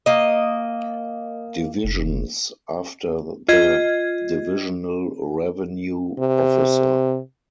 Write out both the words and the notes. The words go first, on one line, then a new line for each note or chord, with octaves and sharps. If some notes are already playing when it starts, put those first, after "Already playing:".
Divisions' after the 'Divisional Revenue Officer'.
A#3 D#5
F1
F4 D#5 G#6
C3